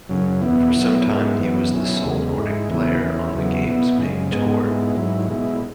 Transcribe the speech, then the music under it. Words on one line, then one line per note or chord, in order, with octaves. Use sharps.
For some time he was the sole Nordic player on the game's main tour.
F#2 C#3 F#3
E2 B2 B3 E4
B2 F#3 B3 E4
G#2 G#3 B3 E4
F#2 E3 B3
B2 F#3 C#4 E4
E2 C#3 G#3
G#2 G#3 E4
E2 C#3 E3 B3 E4
E2 E3 C#4 E4
E2 C#3 F#3 B3 E4
B2 B3 E4
F#2 C#3 G#3
G#2 G#3 B3
G#2 G#3 B3 E4
G#2 F#3 E4
B2 G#3 E4